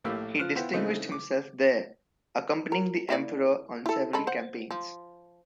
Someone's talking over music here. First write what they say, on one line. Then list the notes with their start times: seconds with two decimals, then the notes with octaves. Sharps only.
He distinguished himself there, accompanying the Emperor on several campaigns.
0.04 A#1 A2 A3 A#3 G4 E6
0.39 F3 F6 F#6
0.55 B3 E4 F4 C5 F#5 G5
0.73 C#3 E3 A3 C4 D#4
1.12 D6
2.72 A#4
3.09 A#3 E4 D5
3.86 E4 A4
4.13 G#3 A4 B5
4.27 C5 F#5
4.71 F3